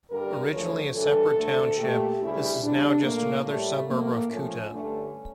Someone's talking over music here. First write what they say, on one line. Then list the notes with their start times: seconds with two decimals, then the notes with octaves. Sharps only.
Originally a separate township, this is now just another suburb of Kuta.
0.10 G2 D3 G3 A#4
0.52 D2 C#3 F3 A3 C#5
0.94 G2 E3 G3 A4
1.35 D2 D3 A3
1.78 A#2 A3 G4
2.20 D2 C#3 G3 E4
2.61 E2 D3 G3 D4
3.03 A#2 A3 A#3
3.44 A2 G3 A3
3.86 A2 F3 A3 A#3
4.28 A2 F3 A3 C#4
4.70 G2 D3 A3